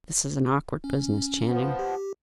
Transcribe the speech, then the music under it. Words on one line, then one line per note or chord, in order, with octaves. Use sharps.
"This is an awkward business, Channing."
C#4
F3 B3
G4